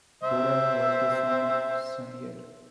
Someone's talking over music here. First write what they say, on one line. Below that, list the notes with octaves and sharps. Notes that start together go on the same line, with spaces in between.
Borrell was the son of Sunyer.
C5 E5